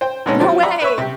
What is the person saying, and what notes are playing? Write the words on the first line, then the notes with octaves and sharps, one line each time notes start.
No way.
C5 G5
B2 D3 G#3 A3 C#4 D#4
F3 F#3 C4
D5 E5 F#5 A#5 B5
B4 C#5 E5 C#6
C3 G4